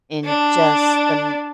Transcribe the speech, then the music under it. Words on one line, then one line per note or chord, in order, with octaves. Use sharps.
in just the m
D4